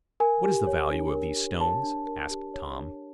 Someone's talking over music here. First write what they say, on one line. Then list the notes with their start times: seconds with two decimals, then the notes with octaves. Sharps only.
"What is the value of these stones?" asked Tom.
0.20 A#4 G#5
0.44 G4
0.67 C#5
0.90 D4
1.13 A#4
1.37 G4
1.61 C#5 A5
1.83 D4
2.06 A#4
2.31 G4
2.54 C#5
2.77 D4